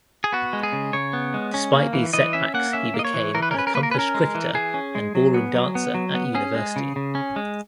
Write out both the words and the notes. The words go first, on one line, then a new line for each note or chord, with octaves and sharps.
Despite these setbacks he became an "accomplished cricketer and ballroom dancer" at university.
G#4
B3 F#4
G#3
G#4
C#3
C#3 C#5
B3
G#3
C#4
A#3
E3
E3 D#5
C#4 E5
A#3 F#5
C#4 E5
A#3
D#5
C#5
E3
E3 A#4
B4
A#4
C#4 B4
A#4
A#3 B4
A#4
B4
C#4 A#4
G#3
E3
E3 G#4
C#4
G#3
F#3
B3
F#3
B3
F#3
B3
C#4 G#4
G#3
C#3
C#3
C#4
G#3